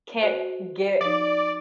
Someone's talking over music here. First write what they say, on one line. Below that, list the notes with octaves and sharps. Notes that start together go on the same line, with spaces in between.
can't get
F#4 A4 C5
F3 D#4 D5